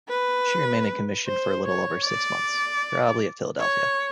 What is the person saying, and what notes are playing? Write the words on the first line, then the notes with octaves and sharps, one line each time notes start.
She remained in commission for a little over six months, probably at Philadelphia.
B4
C5
C#5
D5
C#5